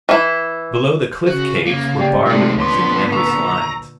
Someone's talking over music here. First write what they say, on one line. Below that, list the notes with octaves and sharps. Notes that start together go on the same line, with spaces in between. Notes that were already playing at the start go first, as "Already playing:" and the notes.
Below the cliff caves were bar rooms in endless lines.
E3 E4
C#3 F#4
A#3
G4 D5 G5
C3 G#3 A3 D#4 A4
F2 A#2 D3 B3 C#5 C6 D6
A#5 C#6 E6